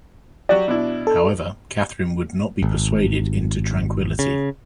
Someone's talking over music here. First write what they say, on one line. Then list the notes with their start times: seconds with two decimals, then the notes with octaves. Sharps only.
However, Catherine would not be persuaded into tranquillity.
0.49 F#3 F#4 G4 D5
0.68 B2 D4 E4
1.07 A4
2.63 G#1
4.19 C#3